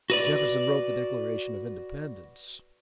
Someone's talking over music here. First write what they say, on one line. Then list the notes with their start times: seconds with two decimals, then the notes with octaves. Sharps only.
Jefferson wrote the Declaration of Independence.
0.10 F#4 B4 D5